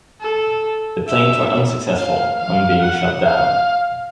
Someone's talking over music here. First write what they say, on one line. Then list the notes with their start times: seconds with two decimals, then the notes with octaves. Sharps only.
The planes were unsuccessful, one being shot down.
0.21 A4
1.08 E5
1.96 F5
2.39 F5
2.82 F#5
3.26 F5